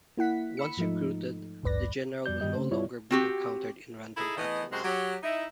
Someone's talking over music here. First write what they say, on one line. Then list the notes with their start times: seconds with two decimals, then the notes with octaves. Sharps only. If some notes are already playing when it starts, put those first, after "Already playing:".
Once recruited, the general will no longer be encountered in random battles.
0.17 A#3 E4 F#5 B6
0.57 B5 E6 C#7
0.77 G#2 F3 A3 D#4
1.63 A1 D2 G2 B4 D5 A#6
2.26 F2 G3 D5 G6
2.40 G2 D#3 G3 D#5 G6
2.55 C#3 A3 C#4 C5
2.71 G2 G3 E4 F4 C#5 D5
3.11 C4 F#4 G4
4.17 D#4 E4 G#4 A4 E5
4.37 E3 A3 B3 G#4 D#5
4.71 F#2 C3 G#3 F#4 C5 F#5
4.83 F#3 G4
5.23 D#4 E4